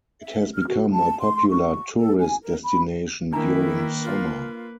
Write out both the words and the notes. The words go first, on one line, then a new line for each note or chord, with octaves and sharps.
It has become a popular tourist destination during summer.
E5
F6
F#4
A5
C6
C#6
A4
G#5
A#4
B5
D#3 A#3 D4 E4 B4 A#5
F4